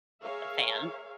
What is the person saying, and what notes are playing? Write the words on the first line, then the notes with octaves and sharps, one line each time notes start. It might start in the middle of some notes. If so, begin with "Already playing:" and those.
a fan.
G#4 A#4 C#5 E5 F5